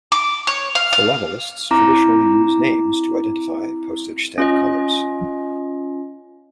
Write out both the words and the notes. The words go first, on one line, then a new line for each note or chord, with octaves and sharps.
Philatelists traditionally use names to identify postage stamp colors.
D6
C#5
F5
F5
C4 E4 A#5 D6
C#4 F4 D#5